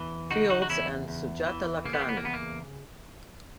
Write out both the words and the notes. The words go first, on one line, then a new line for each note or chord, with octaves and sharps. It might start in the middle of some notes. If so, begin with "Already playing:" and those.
Fields and Sujata Lakhani.
Already playing: E2 E3
C#3 D#4 F#4
D#4 F#4
F#4
E2 C#4 E4
E2
E3
C#3 A#3
B3
A#3
B3
A#3
E2 B3
A#3